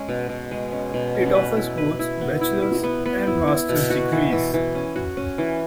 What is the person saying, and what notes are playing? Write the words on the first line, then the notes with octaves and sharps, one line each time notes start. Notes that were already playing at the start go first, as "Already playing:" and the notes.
It offers both bachelor's and master's degrees.
Already playing: G#3 C#4
B2
B2
G#3
C#4
B2
C#4
B4
E4
B4
E4
B3
E4
E4
B3
B3
E4
E4
B2
F#4
E3
E3
E3
C#4
F#4
C#4
E3